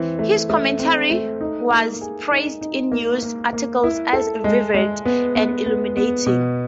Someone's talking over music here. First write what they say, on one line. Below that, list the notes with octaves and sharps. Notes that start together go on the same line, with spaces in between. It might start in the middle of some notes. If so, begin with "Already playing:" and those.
His commentary was praised in news articles as "vivid" and "illuminating".
Already playing: E3 C4
A3
A3
C4
A3
D#4
A#3
G#4
D#4
D#4
A#3
A#3
A#3
E4
A4
G#3
G#3
B3
B3
B3
B3
B2